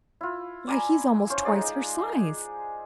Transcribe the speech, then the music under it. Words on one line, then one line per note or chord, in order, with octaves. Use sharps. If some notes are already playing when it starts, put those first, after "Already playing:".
"Why, he's almost twice her size."
E4 F4
D5 G#5 A#5 B5
C#4 C5
G#3 D#4 G#4 D5